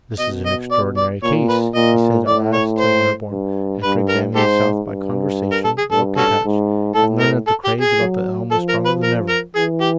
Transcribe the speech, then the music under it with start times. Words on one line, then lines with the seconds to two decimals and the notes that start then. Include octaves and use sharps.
"This is an extraordinary case," he said at last to Winterborne, after examining South by conversation, look, and touch, and learning that the craze about the elm was stronger than ever.
0.19 B2 D#5
0.46 D#5
0.71 D5
0.97 D5
1.23 A#2 C#5
1.49 B4
1.75 A#2 D#5
2.27 A2 D5
2.54 C#5
2.79 C5
3.31 G2
3.83 G2 B4
4.09 A#4
4.35 G#2 G4 A4 C5
4.87 G2
5.52 A#4
5.65 A4
5.78 G#4
5.91 G2 A4
6.17 C#4 F#4 A4
6.44 G#2
6.95 A2 A4
7.21 A#4
7.47 A4
7.65 G4
7.81 G#4
7.99 F#3
8.51 F3 A4
8.69 A#4
8.85 B4
9.03 A#4
9.29 A#4
9.55 E3 G#4
9.81 G4